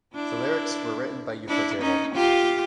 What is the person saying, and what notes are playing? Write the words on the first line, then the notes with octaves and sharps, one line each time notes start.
The lyrics were written by Ufotable.
D4 E4
D4 E4
C#4 D#4
F4 G4